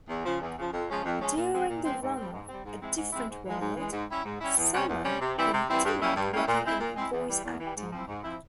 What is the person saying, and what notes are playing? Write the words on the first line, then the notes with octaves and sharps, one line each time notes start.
During the run of "A Different World", Summer continued working in voice acting.
E2
C#3 F3
E2
C#3 F3
F2
C#3 F3 G#3 C#4
F2
C#3 F3 G#3 C#4
A#2
F3 G#3 C4
A#2
F3 G#3 C4
G#2
G3 C4
G#2
G3 C4
G#2
F3 G#3 C4 E4
G#2
F3 G#3 C4 E4
G#2
E3 G#3
G#2
E3 G#3
G#2
G3 C#4 E4
G#2
G3 C#4 E4
E2
C3 G3 C#4
E2
C3 G3 C#4
C3
E3 G3 C4 E4
C3
E3 G3 C4 E4
G2
G3 A#3 C#4 E4
G2
G3 A#3 C#4 E4
A#2
G#3 C4 E4
A#2
G#3 C4 E4
E2
E3 G3
E2
E3 G3
G#2
F3 C4 E4
G#2
F3 C4 E4